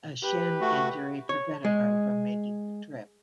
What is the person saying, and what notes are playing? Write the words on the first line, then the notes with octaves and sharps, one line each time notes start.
A shin injury prevented her from making the trip.
G4 B4
A3 F#4
C#5
G#3